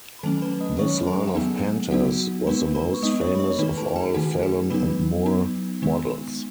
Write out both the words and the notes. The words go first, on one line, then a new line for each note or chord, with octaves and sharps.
This line of Panthers was the most famous of all Phelon and Moore models.
B5
D#3 F#3 A3 C#4 A4 A5
B4 B5
D#5 D#6
D#3 F#3 A3 C#4 C#5 C#6
B5
A4 A5
E5
F#5
F#3 B3 D#4 G#4 G#5
F#3 B3 D#4 F#4 F#5
G#3 B3 D#4 B4 B5
B4 B5
C#6
G#3 B3 D#4 D#5 D#6
C#5 C#6
B5
C#5 C#6
D#3 A3 D#4 B4 B5
A4 A5
G#4 G#5
D#3 A3 D#4 F#4 F#5
G#4 G#5
F#3 B3 D#4 B4 B5
F#3 B3 D#4
D#3 G#3 B3 D#4